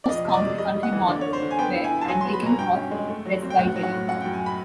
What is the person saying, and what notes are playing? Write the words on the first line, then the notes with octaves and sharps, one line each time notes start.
Most Countryborn were Anglican or Presbyterian.
D5
F2 D#5
C3 D#5
D5
C3
G3 D#5
G3
F#5
E3
D3 D5
A#3 C#5
C5
D3
G#5
B3 G5
E4
G#5
E4
A5
F#3 G#5
B3 C6
B5
B2 A#5
G2 G5
C#4
G#3
A3
F#3
C4
G5
A2 F#5
F#3
F#5
A2
F#2 F#5
F#2 G5
G#5
B5